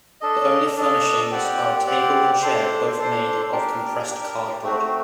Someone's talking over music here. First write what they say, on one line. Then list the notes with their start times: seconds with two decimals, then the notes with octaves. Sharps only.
The only furnishings are a table and chair, both made of compressed cardboard.
0.21 D4 A4 D#5
0.76 D4 A4 D#5
1.32 C4 G4 D5 F#5
1.87 C4 G4 D5 F#5
2.42 D4 A4 C5
2.97 D4 A4 C5
3.52 D4 G4 A#4
4.07 D4 G4 A#4
4.63 A3 C4 F#4